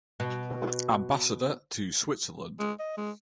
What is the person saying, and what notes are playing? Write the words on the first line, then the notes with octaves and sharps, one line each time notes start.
Ambassador to Switzerland.
B2
G#3
D#5
G#3